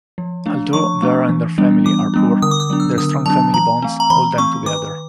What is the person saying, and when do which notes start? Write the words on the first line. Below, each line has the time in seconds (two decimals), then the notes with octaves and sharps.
Although Vera and her family are poor, their strong family bonds hold them together.
0.18 F3
0.46 A3 D4
0.73 F3 C#6
1.02 A3 D4
1.29 E3
1.58 G3 B3 D4
1.86 E3 D6
2.14 G3 B3 D4
2.42 D3 D#6
2.51 D6
2.60 D#6
2.70 F#3 B3 D4
2.80 E6
2.98 D3 D#6
3.26 F#3 B3 D4 A5
3.54 E3 A#5
3.82 A3 C4
4.00 A#5
4.10 E3 B5
4.38 A3 C4 C#6
4.66 D#3 D6